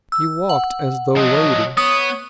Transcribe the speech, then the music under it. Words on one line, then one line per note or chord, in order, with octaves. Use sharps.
He walked as though wading.
E6
F#5
F3 F#3 D#5
B3 C#5 D#6